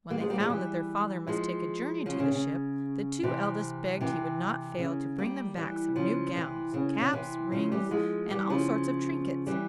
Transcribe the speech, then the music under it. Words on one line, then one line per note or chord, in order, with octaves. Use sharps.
When they found that their father must take a journey to the ship, the two eldest begged he would not fail to bring them back some new gowns, caps, rings, and all sorts of trinkets.
G3 A#3
F3 G#3
G3 A#3
F3 G#3
E3 G3
F3 G#3
C#3 F3
C#3
C#3
C3 E3
C3 E3
C#3
G3 A#3
E3 G3
C#3 F3
C3 E3
C#3
C#3
C3 E3
C#3 F3
E3 G3
F3 G#3
E3 G3
C#3 F3
E3 G3